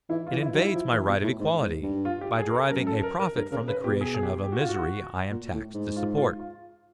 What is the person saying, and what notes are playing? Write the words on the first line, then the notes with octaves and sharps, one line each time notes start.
It invades my right of equality, by deriving a profit from the creation of a misery, I am taxed to support.
E3 E4
F4
E3
E4
F#3
E4
F3
E3
B2
A2
G#2
G#2
G2
F4
G4
G#4
A#4
A4
F#2 A#4
A4
A#4
A#4
G2 A#4
C#3 A#4
C#3 B4
B2 G4
G#4
G#4
G4
G4
F#4
F4
F#4
A#2
A2
G#2
F4
F4
F4